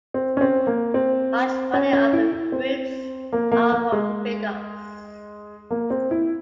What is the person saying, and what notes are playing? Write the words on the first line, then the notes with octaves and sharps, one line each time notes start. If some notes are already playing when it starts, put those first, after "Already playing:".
Large variety of the fruits are from "Ficus".
C4
C#4
C4
A#3
C4
C#4
C#4
E4
E4
C4
A#3
A#3
A#3
G#3
A#3
C4
E4